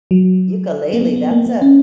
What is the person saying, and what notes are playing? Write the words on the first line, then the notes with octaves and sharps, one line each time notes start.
Ukulele, that's a
F#3
A#3
B3
B3
A#3
A#3
C#4